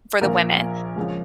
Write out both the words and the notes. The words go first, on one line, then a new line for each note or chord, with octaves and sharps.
for the women.
A#1 A#2 F3 A#4
C#2 C#3 F3